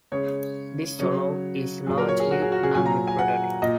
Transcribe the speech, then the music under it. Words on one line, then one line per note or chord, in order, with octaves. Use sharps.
This swallow is largely non-migratory.
C#3 G#3 C#5
C#3 F#3 C#5
A#2 F#3 G#4
A#4
C#5
G#4
F#4
G#4
F#4
G#4
A#2 F#3 G#5
A#5
G#5
F#5
A#2 D#5